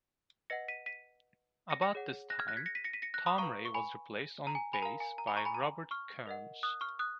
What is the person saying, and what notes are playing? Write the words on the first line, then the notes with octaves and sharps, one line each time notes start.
About this time, Tom Ray was replaced on bass by Robert Kearns.
B4 D#5 F#5 A#6 C#7
B6 D#7
B6 D#7
A#6 C#7
A#6 C#7
G#4 C#5 F#5
F#6 A#6
F6 G#6
F#6 A#6
G#6 B6
A#6 C#7
B6 D#7
A#6 C#7
B6 D#7
A#6 C#7
F#6 A#6
B5 D#6
B4 F5 A#5 C#6
C#6
G#5 B5
A#5
G#5
G#5 B5
A#4 F5 A#5
G#5
A#5
G#5 B5
A#5 C#6
G#5 B5
A#5
C#6 F6
A#4 D#5 F#5
D#6 F#6
C#6 F6
D#6 F#6